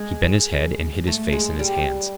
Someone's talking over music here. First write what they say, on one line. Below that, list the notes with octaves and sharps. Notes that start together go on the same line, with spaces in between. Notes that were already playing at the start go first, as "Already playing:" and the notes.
He bent his head, and hid his face in his hands.
Already playing: G#3
A3
G#3
G3